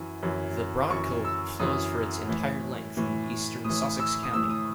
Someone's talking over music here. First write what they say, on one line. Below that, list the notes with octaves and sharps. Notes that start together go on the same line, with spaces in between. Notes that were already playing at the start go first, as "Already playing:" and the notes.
The Broadkill flows for its entire length in eastern Sussex County.
Already playing: F#2 E3
F#2 E3
F#2 E3 C#6
E6
F#2 E3 D#6
A2 E3
A2 E3
A2 E3 D#6
E6
D#6
A2 E3 E6
D#6